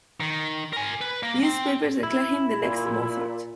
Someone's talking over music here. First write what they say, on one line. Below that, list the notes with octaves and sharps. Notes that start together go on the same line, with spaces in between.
Newspapers declared him the next Mozart.
D#3
A#4 G#5
B4
A#3
C4
E4
A#2